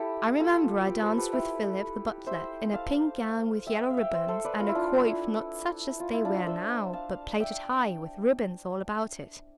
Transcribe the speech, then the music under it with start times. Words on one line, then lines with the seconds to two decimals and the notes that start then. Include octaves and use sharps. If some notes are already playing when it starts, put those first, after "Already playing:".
I remember I danced with Philip, the butler, in a pink gown, with yellow ribbons, and a coif, not such as they wear now, but plaited high, with ribbons all about it.
Already playing: E4 G4 A4
0.40 F4 A4
0.87 G4 B4
1.02 A4 C5
1.18 G4 B4
1.33 E4 G4
2.26 C5 E5
2.73 F5 A5
3.67 E5 G5
3.90 F5
3.97 E5 G5
4.13 C5 E5
4.28 A4 C5
4.45 B4 D5
4.60 F4
4.68 E4
4.75 D4 F4
5.07 E4
6.00 F4
6.13 E4
6.25 D4 F4
6.46 C5 E5
6.93 F5 A5
7.40 E5 G5